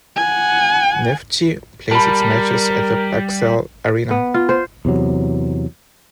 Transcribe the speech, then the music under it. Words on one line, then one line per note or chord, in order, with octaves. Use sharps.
Neftchi plays its matches at the Bakcell Arena.
F#5 G#5
G3 A#4 A5 B5
B3
F4
C5
E2 C3 F#3